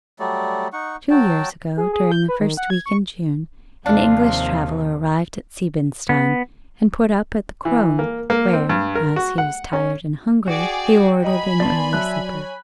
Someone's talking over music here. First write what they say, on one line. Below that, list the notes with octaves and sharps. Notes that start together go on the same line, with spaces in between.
Two years ago, during the first week in June, an English traveller arrived at Siebenstein and put up at the "Krone," where, as he was tired and hungry, he ordered an early supper.
F#3 G3 A3 D5
D#4 F#5 C#6
F#3 F#4 G5 A5
G#4
G#4
G6
B4
D#3
F#5
G#6
C#6
D#2 C3 F3 D4 F5
B3
E3
A#3
A#3
C4
G2
A#4
F#4
F#5
C#4
F#4 G#4 D5 G5
D#5 G#5 A#5 B5 D#6
B3 D5 A5 C6
F#3 E5 A5 F#6
C#5